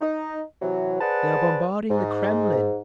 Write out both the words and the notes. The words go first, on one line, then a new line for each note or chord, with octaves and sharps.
"They are bombarding the Kremlin!"
D#4
C3 E3 F#3
G#4 B4 C5 D5 F#5 A5
G#2